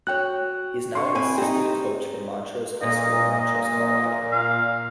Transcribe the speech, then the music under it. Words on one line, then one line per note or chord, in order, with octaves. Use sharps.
He now is an assistant coach for Montrose High School in Montrose, Colorado.
F#4 C#5 G5 F#6
D3 C6 C#6
C4 E4 G#5
C4 D#4 G4
A#2 D#5
D#5
F5